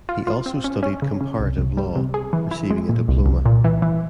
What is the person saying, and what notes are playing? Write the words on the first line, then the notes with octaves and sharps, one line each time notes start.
He also studied comparative law, receiving a diploma.
F4
F4
C4
C#4
C#4
C#3
C#3
C2
C2
G3
C3
G#4
E3
E4
G#3
A#2
C2
C2
A#2
E3
E3